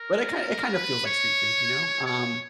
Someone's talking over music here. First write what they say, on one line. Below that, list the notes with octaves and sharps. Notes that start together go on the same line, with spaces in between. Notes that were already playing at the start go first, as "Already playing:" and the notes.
But it kinda it kinda feels like street food, you know? Um,
Already playing: A#4
B4
C#5
C#5